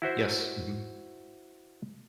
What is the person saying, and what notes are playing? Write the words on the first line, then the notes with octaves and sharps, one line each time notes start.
Yes. Mhm.
E4 F#4 C5 E5